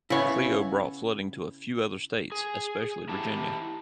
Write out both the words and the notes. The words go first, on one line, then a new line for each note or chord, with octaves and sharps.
Cleo brought flooding to a few other states, especially Virginia.
C#3 B3 E4 C#5
G#4
E4 G4 A5